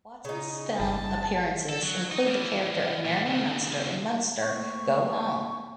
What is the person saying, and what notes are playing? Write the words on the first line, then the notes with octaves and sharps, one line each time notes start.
Watson's film appearances include the character of Marilyn Munster in Munster, Go Home!
C#3 D#4
G1 G3 G#4 A5
A4
F#3
D#4
E3 F3
A#2 G3
D#2 C#3
A3 A#3 C4 C#6